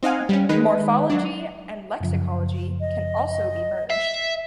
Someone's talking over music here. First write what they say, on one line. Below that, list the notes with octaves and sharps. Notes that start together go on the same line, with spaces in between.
Morphology and lexicology can also be merged.
C4 D#4 D#5 F5 F#5 G#5
G3 C#4
D#3 G#3 D#4 B4
F#3 D4
F#2 C#3 F3
D#5
E5 C7